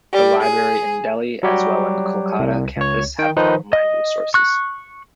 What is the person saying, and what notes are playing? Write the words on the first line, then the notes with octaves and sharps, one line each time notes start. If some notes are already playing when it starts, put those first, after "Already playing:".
The library in Delhi as well in Kolkata campus have online resources.
G3
G#4
F#3 G3 F#4 G4
C2
C#2 C#5
D#3 G5
D#3 F3 D#4 B4 C5
D#5
C#6 F#6